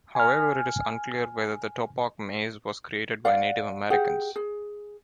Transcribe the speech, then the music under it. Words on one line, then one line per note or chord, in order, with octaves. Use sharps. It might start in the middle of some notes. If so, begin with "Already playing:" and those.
However, it is unclear whether the Topock Maze was created by Native Americans.
G#5 F6
D5 F5 F#5
G4 G#4 F#5
G#4